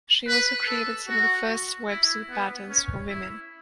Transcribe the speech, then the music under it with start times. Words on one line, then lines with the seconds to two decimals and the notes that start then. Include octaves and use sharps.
She also created some of the first wetsuit patterns for women.
0.28 B4
0.68 A4
1.08 F#4
1.89 E4
2.30 B3
2.69 C#4
3.09 E4